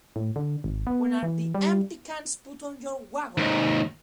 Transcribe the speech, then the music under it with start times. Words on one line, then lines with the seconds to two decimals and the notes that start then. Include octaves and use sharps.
When are the empty cans put on your wagon?
0.16 A2
0.36 D3
0.64 G#1
0.87 B3
1.23 E3
1.55 G3
3.38 D#2 G#2